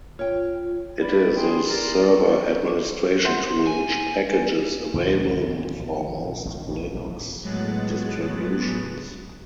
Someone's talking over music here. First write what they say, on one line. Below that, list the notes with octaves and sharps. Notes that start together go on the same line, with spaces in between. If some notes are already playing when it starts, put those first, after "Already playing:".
It is a server administration tool, with packages available for most Linux distributions.
F4 C#5 G5
B4 D5 B5
G#4 G5 C6
A#4 C5 D5
G4 A4 C#6
F#4 C#6 D6
C5 E5 F#5
G#5
D2 B2 E3 F3
D#2 G#2
A#1
G#1 D3 D#3
A1 D#2 A2
A#1 E3
A2 F#3 G#3 B3 F#6 A6